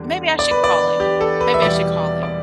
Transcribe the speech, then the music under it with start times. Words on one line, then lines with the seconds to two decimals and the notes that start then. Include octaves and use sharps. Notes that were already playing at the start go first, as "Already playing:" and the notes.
Maybe I should call him. Maybe I should call him
Already playing: E2 D3 G3
0.39 D5
0.51 B4
0.64 D5
1.00 G4
1.21 A4
1.41 B4
1.54 E5
1.62 E2 B2 G3 D5
2.23 D5